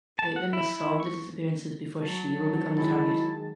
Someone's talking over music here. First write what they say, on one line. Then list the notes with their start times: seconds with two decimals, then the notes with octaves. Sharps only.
Caitlin must solve the disappearances before she will become the target.
0.19 A5
0.36 F#5
0.53 E4
0.72 E4
1.00 C#6
2.02 F#3 A5
2.76 D#3 G#3 E4